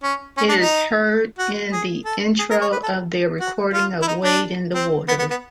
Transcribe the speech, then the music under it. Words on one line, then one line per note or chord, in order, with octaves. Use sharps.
It is heard in the intro of their recording of "Wade in the Water".
C#4
C#4
D4
D#4
F#4
G#4
A4
G#4
A#4
C#5
B4
A4
F#4
F4
E4
D#4
D4
C4
B3
B3
B3